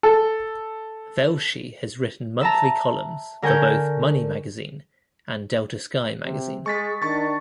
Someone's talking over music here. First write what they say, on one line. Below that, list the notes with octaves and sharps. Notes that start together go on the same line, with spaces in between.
Velshi has written monthly columns for both "Money Magazine" and "Delta Sky" magazine.
A4
E5 A5 A#5
D3 A#4 G#5 C#6 G6
C3
G#3 G#4 C#6 A6 B6
D#3 D4 C#6 A6